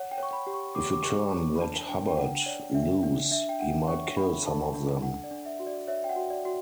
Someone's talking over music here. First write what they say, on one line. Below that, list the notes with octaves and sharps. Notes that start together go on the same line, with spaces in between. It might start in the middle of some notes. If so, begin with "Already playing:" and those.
If you turn that Hubbard loose, he might kill some of them.
Already playing: C#5 F#5
G5
C#5 C#6
B5
G4
C#6
G4 D6
D6
G4 C#6
C#5 C#6
B5
D4 A5
D4 G5
G5
D4 F#5
C#5 D5
D4 E5
D4
D4 E5
G5
D4 F#5
C#5 C#6
D4 B5
A4 A5
D4
D4 F#5
D5
D4
E5
F#4
D5
C#5 E5
G5
F#5
F#4
D5
F#4